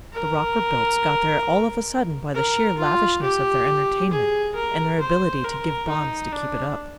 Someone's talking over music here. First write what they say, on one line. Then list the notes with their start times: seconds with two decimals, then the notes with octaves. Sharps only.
The Rockerbilts got there all of a sudden by the sheer lavishness of their entertainment and their ability to give bonds to keep it up.
0.13 A#4
2.34 A#4
2.78 F4
3.22 G4
4.11 G#4
4.55 A#4
5.01 C5
5.44 A#4
5.89 D#4
6.32 D4